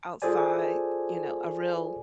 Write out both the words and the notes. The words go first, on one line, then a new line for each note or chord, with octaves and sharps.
outside, you know, a real
F4 G#4 A4 C5 D5 G#5